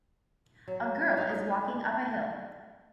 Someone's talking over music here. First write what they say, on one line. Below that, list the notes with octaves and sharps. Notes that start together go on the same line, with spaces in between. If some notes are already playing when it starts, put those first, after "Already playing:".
A girl is walking up a hill.
F#3
D#4